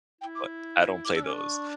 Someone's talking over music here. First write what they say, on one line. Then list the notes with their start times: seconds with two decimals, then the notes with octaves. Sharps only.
but I don't play those,
0.21 E4 G5
0.35 D6
1.05 E4 D6
1.14 D4 E6
1.23 C#4 D6
1.33 D4 C#6